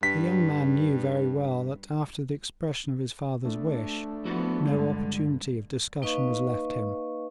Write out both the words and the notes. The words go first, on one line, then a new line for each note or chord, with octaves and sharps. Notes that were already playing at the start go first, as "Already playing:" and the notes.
The young man knew very well, that, after the expression of his father's wish, no opportunity of discussion was left him.
G2 B6
A3 D4
F3 B3 E4 F#4 A4
G2 D3 G#3
A#3 D#4 B4 D#5 F5 C#6